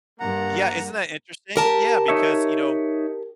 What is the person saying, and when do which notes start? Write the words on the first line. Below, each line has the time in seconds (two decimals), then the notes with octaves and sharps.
Yeah, isn't that interesting? Yeah, because, you know,
0.20 G2 A#3 F#5 A#5
1.56 G4 A#4 A5
2.08 D#4 C#5 E5